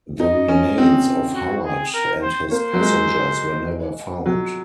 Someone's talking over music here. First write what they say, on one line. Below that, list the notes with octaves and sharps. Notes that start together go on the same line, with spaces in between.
The remains of Howard and his passengers were never found.
D#4 D#5
C#4
C4
F#4
G#4
A#4
C5
A#3 C5
F#3
G#3
F#3